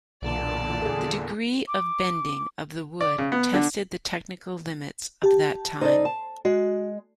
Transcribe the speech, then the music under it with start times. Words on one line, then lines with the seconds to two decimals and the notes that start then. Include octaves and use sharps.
The degree of bending of the wood tested the technical limits of that time.
0.22 B1 E2 A#2 D3 D5 A5
0.82 G#4 A4
1.67 D6
3.01 D5
3.18 C#3
3.32 B3
3.54 D3
5.23 G4 A5
5.81 D#4 A4 C5 D5
6.05 A5
6.45 G#3 F#4